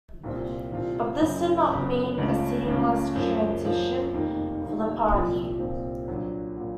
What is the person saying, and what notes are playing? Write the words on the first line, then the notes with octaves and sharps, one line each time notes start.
But this did not mean a seamless transition for the party.
C2 A#2 F3 C4 F4
C2 A#2 F3 C4 F4
F#1 F#2 C#3
F#1 F#2 C#3
C#2 C#3 A3 C#4 F4
C#2 C#3 A3 C#4 F4
F#2 F3 A#3
F#2 F3 A#3
F1 F2 D#3 A#3
F1 F2 D#3 A#3
C2 A#2 F3 C4
C2 A#2 F3 C4
A#1 A#2 F#3
A#2 F#3